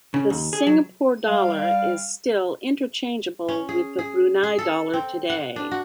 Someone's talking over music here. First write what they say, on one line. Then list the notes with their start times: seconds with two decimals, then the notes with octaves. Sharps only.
The Singapore dollar is still interchangeable with the Brunei dollar today.
0.14 C#3
0.30 D#2
0.53 G#4
0.67 F#3
1.27 G3 F5
3.48 C#4
3.69 G#4
3.99 G#4
4.43 G#4
4.59 A4
4.94 C4
5.30 F#5
5.56 D4
5.71 F#4